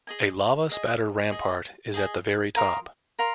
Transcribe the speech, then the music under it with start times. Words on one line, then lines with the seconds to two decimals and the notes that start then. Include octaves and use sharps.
A lava spatter rampart is at the very top.
0.07 G#4 D#5 G#5
0.69 G#4 D#5 G#5
1.31 G#4 D#5 G#5
1.94 G#4 D#5 G#5
2.56 A#4 F5 C6 D#6
3.19 A#4 F5 C6